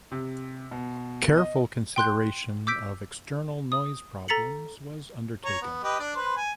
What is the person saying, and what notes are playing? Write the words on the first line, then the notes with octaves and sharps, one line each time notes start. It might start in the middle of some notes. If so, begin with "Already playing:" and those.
Careful consideration of external noise problems was undertaken.
C3
B2
D#5
G5 C6 F#6 G6
D6 E6 G6 B6 D7
D#6
A4 A#5 A6 B6 C#7 F#7
C#5 A#5
B3
G4 B4 D#5
D4 D5
B4 C5
G#5